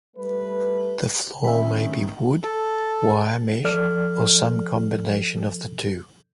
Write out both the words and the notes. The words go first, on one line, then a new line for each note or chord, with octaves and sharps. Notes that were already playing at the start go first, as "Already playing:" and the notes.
The floor may be wood, wire mesh, or some combination of the two.
G3 A3 B4
D1 D#3 C#4 E5 B5
A4
F3 A4 D5 F6